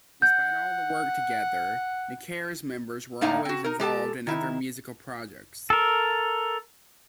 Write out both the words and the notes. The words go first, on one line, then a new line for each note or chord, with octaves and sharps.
Despite all the work together, Necare's members were always involved in other musical projects.
F#5 G6
A2 A#3 D#4 E4 F5 A#5
C4 F#4
D#4 A#4
G#3 G4 A4 A5
D#3 D#4 E4
A4 A#4